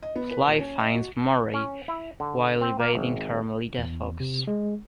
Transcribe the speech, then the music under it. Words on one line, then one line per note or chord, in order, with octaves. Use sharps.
Sly finds Murray, while evading Carmelita Fox.
D#5
B3
B4
D#1
C#4
D#5
F#4
C#4
E4
D3
C4
A#3
G#1
E2
C3
G#3